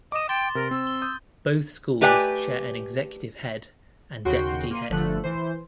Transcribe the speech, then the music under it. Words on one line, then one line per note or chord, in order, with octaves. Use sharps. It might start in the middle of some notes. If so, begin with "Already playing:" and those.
Both schools share an executive head and deputy head.
D#5 D6 E7
G5 C6 A6 G7
C3 A#4
C4 E6
G7
D#6 G6
A3 G4 B4 D5 F#5 G#5
D#2 C#3 F#4 G5 C6
A#3 C6 D#7
G1 D3 F3 A3 F#6
E3 C5